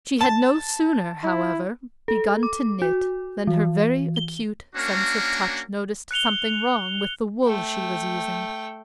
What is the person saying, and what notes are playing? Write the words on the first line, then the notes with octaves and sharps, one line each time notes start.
She had no sooner, however, begun to knit than her very acute sense of touch noticed something wrong with the wool she was using.
A5
E4
A4
D6
F#4
E3
G7
A#3 C#4 D4 F#4 A#4
F#6 C#7 F7 G7
A3 G5